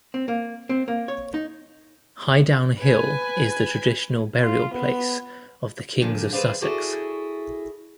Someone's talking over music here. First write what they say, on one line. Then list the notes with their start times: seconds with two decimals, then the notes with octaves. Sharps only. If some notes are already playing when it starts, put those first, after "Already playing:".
Highdown Hill is the traditional burial-place of the kings of Sussex.
0.14 C4
0.28 A#3
0.69 C4
0.88 A#3
1.08 C#5
1.34 D#4
2.79 B4 G#5
4.41 F4
4.73 B3
6.01 A#2 D3 F3
6.32 G#4 A4 B4 C5 D5 F5
6.62 E4 F#4 G#4 A4 D5